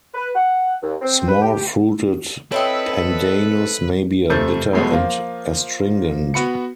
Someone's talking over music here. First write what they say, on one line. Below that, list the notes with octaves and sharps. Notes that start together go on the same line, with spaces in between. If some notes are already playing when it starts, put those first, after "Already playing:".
Small-fruited pandanus may be bitter and astringent.
B4
F#5
D#2
C4
B4
G4
C4 E4 A4 B4 C#5 D#5 G5
F2 C3 A3 G6 A6
F2 B2 G#3 A3 B3
F3 A#3 F4
B3 F#4 B5 C#7